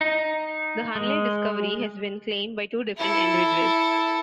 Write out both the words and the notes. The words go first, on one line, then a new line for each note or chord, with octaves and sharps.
The "Hunley" discovery has been claimed by two different individuals.
D#4
G#3
E4 A4